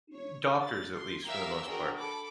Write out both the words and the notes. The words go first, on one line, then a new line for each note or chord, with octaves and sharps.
e doctors, at least for the most part,
C#5
A6
C6
G4 A#4 E5 F5 D6 E6
D4 F#4 G#4 A#4 G5
A4 B5 D6